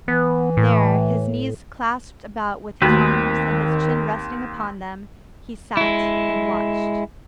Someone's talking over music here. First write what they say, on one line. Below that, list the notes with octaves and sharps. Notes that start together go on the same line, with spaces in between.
There, his knees clasped about with his arms, and his chin resting upon them, he sat and watched.
E3 B3
A2
D#2 D#3 A3 C4 F#4 B4
G#3 E4